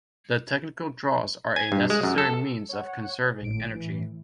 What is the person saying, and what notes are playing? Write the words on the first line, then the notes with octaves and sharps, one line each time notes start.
The technical draws are a necessary means of conserving energy.
G#5
G2
G#3
F#2
A4
C#5 F#5
G#1 A2 D7
A2 E3